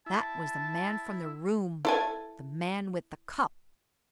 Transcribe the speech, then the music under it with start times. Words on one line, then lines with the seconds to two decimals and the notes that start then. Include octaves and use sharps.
That was the man from the room--the man with the cup!
0.06 E4 A5
1.85 E4 A4 G#5